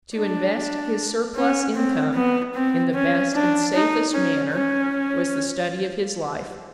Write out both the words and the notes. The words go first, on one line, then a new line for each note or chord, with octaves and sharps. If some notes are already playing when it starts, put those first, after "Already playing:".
To invest his surplus income in the best and safest manner was the study of his life.
D4
C#4
C4
B3
C4
C#4
D4
D#4
C#4
C#4